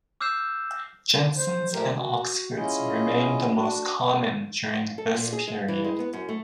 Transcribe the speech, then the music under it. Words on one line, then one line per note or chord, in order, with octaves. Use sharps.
Jensens and Oxfords remained the most common during this period.
D6 E6 F6 G6 C7 E7
C5
A#2 F3 A3 G4 A#4
F#4
C#4 E4 F4 G#4 D#5
D4 F#4
A4
A#2
G#4
G#3
E3
G#3
B3
F#2
A3